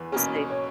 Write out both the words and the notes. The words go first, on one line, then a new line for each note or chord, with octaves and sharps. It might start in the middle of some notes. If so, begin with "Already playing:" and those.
we'll see.
Already playing: E2 B4
B2 A#3 C#4
C#5